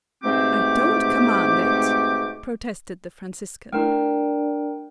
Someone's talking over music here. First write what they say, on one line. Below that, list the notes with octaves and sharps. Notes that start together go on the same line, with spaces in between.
"I don't command it!" protested the Franciscan.
G#2 B2 A3 C4 G4 D6
A3 D4 E4 A#4 G5